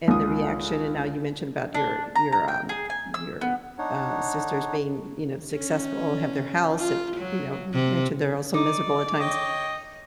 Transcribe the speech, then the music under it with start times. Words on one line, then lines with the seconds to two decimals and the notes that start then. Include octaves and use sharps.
and the reaction, and now you mentioned about your your, um, your, uh, sisters being, you know, successful and have their house and you know, you mentioned they're also miserable at times.
0.08 C#2 D#6
1.74 D4
2.15 A#5
2.32 A#5
2.48 G5
2.69 G#4
2.90 G#5
3.14 E6
3.41 B3
3.78 D4 D#4 C#5 F#5
5.53 C#4
6.79 F4
7.17 F#3
7.73 C3
8.54 D#4 D5 D6
9.20 C#5 D#5 G5